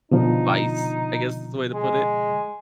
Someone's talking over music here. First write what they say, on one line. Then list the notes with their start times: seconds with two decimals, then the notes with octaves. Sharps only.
vice, I guess is the way to put it,
0.11 B2 D3 F3 D#4
1.74 G#3